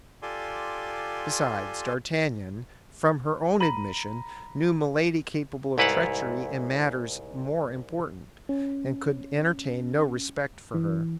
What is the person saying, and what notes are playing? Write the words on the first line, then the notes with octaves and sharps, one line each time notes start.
Besides, d'Artagnan from her own admission knew Milady culpable of treachery in matters more important, and could entertain no respect for her.
F4 G4 A4 D5 G#5 C6
A#5 B5 D#7 F#7
C2 G#2 E4 B4 F5 F#5
C#4
E3